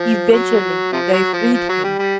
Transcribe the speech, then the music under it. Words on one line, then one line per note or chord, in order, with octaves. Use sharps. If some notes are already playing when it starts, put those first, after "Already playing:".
Eventually they freed him.
Already playing: F3
F#3
C3 F3
F#3
F3
F3
F#3
G3
G3